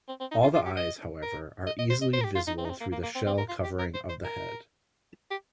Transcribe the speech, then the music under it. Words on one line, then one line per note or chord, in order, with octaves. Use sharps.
All the eyes, however, are easily visible through the shell covering of the head.
C4
C4
D#4
F4
F4
G4
D#5
A#4
D#5
D#5
C5
D#5
C5
A#4
G4
F4
D#4
C4
D#4
C4
A#3
A#3
A#3
C4
C4
A#4
F4
G4
A#4
C5
C5
A#4
G4